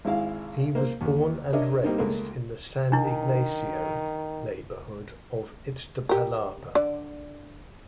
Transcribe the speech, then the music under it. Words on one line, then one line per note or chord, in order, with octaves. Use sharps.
He was born and raised in the San Ignacio neighborhood of Iztapalapa.
G#1 G#3 E4 F5
A#3 C5
D#2
D4 A#4 C#5 D#5 E5
G3 A#3 C4 D#4
C#2 A3 A#3
D#3 D4 E4
G4 A#4
D3 D5